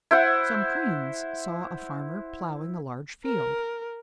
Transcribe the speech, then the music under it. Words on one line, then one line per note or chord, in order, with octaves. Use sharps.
Some Cranes saw a farmer plowing a large field.
E4 C5 F#5
A#4